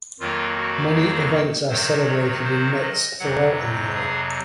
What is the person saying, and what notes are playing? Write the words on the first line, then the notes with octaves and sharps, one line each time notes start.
Many events are celebrated in Metz throughout the year.
F2 D#3 F#3 A#3 F4
F#4
G#4
C3 D#3 F#3 C5
C#5
C5
D#5
F2 C3 F#3 F#5
G#4